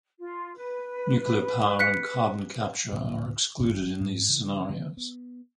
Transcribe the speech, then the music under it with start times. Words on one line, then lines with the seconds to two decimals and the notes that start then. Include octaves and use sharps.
Nuclear power and carbon capture are excluded in these scenarios.
0.18 F4
0.56 B4
1.79 F#6 B6 C#7
2.92 D2 A2 D3 B3
3.59 G#1 G2 F3
4.00 G#2
4.29 C#3 E3
4.69 D3 F3 A3 B3
4.97 B3